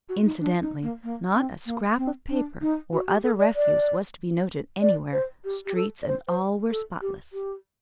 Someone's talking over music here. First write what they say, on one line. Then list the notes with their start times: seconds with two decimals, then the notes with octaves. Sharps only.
Incidentally not a scrap of paper or other refuse was to be noted anywhere--streets and all were spotless.
0.09 F#4
0.25 D#4
0.41 D4
0.61 D#4
0.83 A#3
1.03 A#3
1.35 C4
1.66 A#3
1.98 C4
2.29 D4
2.61 D#4
2.93 F#4
3.08 G4
3.24 A4
3.39 D5
3.56 D5
4.81 D5
5.13 C5
5.44 G4
5.66 G4
5.75 A4
6.03 D5
6.07 C5
6.28 C5
6.70 A4
7.02 G4
7.33 G4